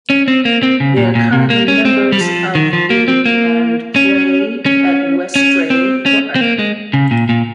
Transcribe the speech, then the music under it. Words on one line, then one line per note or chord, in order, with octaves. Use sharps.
They are currently members of the and play at Westray Park.
C#4
C4
A#3
C4
C#3
A#2
A#2
C3
A#3
C#4
C4
G3
F3
D#3
F3
A#3
C4
A#3
C#4
C#4
C#4
C4
C#4
C4
A#3
G#3
C#3
A#2
A#2